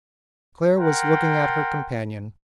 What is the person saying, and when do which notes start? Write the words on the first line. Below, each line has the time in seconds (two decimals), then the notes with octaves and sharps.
Claire was looking at her companion.
0.75 A#4 F#5 G5 A5 C6